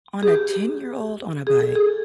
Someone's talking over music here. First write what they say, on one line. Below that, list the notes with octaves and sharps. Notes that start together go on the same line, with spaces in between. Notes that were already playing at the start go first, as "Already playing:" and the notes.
On a ten-year-old on a bike.
G#4
G4
G#4
A4
G#4